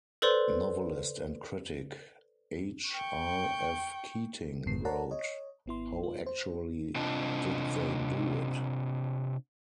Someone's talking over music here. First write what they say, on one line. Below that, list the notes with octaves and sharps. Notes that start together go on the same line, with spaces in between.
Novelist and critic H. R. F. Keating wrote, How actually did they do it?
A4 B4 C5 D5 C6
G5 C#6
G1 F2 G#2 D3 B3 C7
A#4 C#5 D5 F#5 A5 A#5
C#5 D#5
G#1 B3 E4 C6
F4
C5
C3 C4 D4 F4 D#5 A5